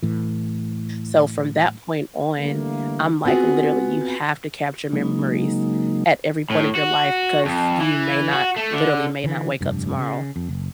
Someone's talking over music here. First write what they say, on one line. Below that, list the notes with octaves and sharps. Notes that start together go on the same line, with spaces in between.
so from that point on, I'm like, literally, you have to capture memories at every point of your life, 'cause you may not literally may not wake up tomorrow,
A2 E3
D3 E3 G3 A3 A#3
B3 C4 F4 F#4 G#4
C#3 F#3 G#3 A#3 D#4
A2
F#4
F2
E3
F#4
A3
D3
D3 E3
F1 G2
C#3
F2
F#1